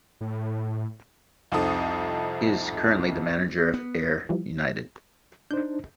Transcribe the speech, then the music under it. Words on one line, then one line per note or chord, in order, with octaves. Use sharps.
He is currently the manager of Ayr United.
A2
C2 F2 C4 D#4 A4 D#6
B3
E3 F3 G3
D4 D#4 C5 G6